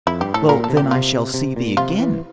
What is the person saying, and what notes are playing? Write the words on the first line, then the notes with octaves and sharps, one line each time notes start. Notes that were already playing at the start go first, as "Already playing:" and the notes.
Well; then I shall see thee again?
F2 E4
G2 G4
A2 A4
A#2 A#4
A4
C3
G4
A#2
C3 F4
C3
A#2
C3 F4
E3